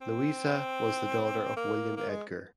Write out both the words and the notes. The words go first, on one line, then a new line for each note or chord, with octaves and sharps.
Louisa was the daughter of William Edgar.
C4
A#3
A#3
G#3